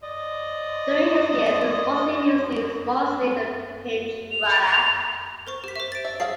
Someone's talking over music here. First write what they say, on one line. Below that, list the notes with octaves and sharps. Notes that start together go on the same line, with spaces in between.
During his years with Boston he was used mostly as a pinch- runner.
D5 D#5
F7
A#4 C5 C#6
G4 B6
C5 E5
A6 D7
E5
G#4 E5 F5 C7